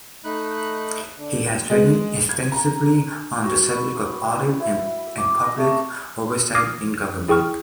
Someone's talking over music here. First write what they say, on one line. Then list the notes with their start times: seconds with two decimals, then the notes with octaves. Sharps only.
He has written extensively on the subject of audit and public oversight in government.
0.25 A3 D#4 B5 F#6
1.17 D3
1.70 G#3
2.29 G#6
2.52 A#5
3.43 F#4
3.70 B4
3.96 E6
4.25 E4
4.60 E4
5.18 D6
5.41 D#5
5.58 A3
6.55 D6 D#6 F6 G#6 A#6 C7
7.28 E4 G#4 G5 C#6 F6